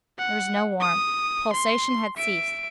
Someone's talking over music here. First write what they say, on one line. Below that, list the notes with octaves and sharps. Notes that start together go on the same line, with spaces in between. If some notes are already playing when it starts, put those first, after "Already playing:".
There was no warmth. Pulsation had ceased.
F#5
D#6
C6
E5 D7